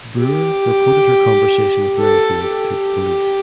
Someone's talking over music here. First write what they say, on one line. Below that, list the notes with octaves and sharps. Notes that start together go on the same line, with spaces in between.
Brewer reported her conversation with Merrifield to the police.
G4
A4
G4